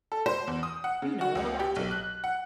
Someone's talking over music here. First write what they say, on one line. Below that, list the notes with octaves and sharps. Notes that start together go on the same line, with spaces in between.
You know all about it.
A4
C5
E2
D#6
F#5
C#3
F#4
C#2
G4
B1
F#6
F#5